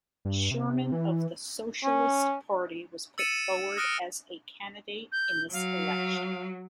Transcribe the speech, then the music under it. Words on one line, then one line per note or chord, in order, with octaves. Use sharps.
Sherman of the Socialist Party was put forward as a candidate in this election.
G2
C3
E3
C#4
E6 A6 C#7 D#7 E7
D#6 F6 F#6 A#6 D7 D#7
G6
F#3 F5